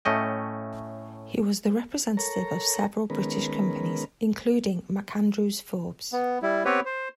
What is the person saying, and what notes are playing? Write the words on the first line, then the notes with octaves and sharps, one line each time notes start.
He was the representative of several British companies, including MacAndrew Forbes.
A2 A3 C#4 D#5 G5
A4 A#4 C#5 A#5
D#3 G#3 B3 C#4 A#4 B4
B3
G3 E4
B3 C4 G4 B4 C#5
C5